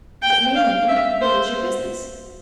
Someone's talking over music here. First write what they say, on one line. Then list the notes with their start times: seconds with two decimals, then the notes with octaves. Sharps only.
It may mean: What is your business?
0.22 G5
0.56 F5
0.88 E5
1.21 C5